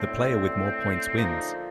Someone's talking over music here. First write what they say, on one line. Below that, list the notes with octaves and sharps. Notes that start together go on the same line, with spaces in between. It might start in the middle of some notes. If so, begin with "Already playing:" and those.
The player with more points wins.
Already playing: A2 A3 C4 D4
D3 F3 A#3 D#4